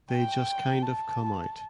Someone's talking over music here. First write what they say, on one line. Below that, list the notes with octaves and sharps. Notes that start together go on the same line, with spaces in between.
They just kind of come out.
G5
A5